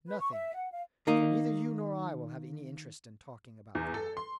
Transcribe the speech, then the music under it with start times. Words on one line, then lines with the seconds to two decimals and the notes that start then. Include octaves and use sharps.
"Nothing, for neither you nor I will have any interest in talking about the matter."
0.06 B4
0.20 C#6
0.33 E5
0.55 F#5
0.72 F5
1.07 D#3 A#3 D#4
3.75 E2
3.94 A4
4.17 C6